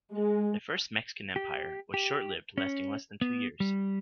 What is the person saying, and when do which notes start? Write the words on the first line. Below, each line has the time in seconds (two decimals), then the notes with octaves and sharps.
The First Mexican Empire was short-lived, lasting less than two years.
0.12 G#3
1.36 G4
1.94 G4
2.58 C#4
3.21 B3
3.60 G3